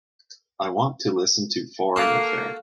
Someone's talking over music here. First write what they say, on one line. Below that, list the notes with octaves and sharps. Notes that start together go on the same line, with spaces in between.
I want to listen to Foreign Affair.
A#3 F#4 A4 F5